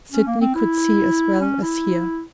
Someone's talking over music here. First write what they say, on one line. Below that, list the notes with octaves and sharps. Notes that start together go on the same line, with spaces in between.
Sydney could see as well as hear.
C#4
A#3
C4
E4
C#4
E4